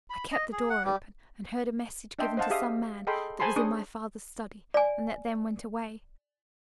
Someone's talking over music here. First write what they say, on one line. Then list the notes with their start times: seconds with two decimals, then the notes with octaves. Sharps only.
I kept the door open, and heard a message given to some man that was in my father's study, and that then went away.
0.10 B5
0.32 D#5
0.52 G#4
0.70 F#5
0.85 G3
2.19 D4 D#5 E5 G5 A5 C6
2.37 C5 D#5 F5 F#5 A5
2.50 G4 G#4 E5 F5 D#6
3.07 G#4 A4 D#5 G5 B5 C6
3.40 G#4 C5 G#5 A5 B5 C6
3.56 C#4 D4 G#4 C#6 D#6
4.74 D5 G#5